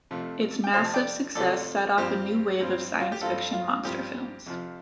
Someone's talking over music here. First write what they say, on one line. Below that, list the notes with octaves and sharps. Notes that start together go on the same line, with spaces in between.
Its massive success set off a new wave of science-fiction monster films.
F2 C3 F3 A3
G5
F2 C3 F3 A3 C5 F5
A5
D5 G5
F2 C3 F3 A3 A4 D5
G2 F3 C4 G4 C5
G2 F3 C4
F4
G4
G2 F3 C4 F4 A4
F4
G2 F3 C4 G4
F2 C3 F3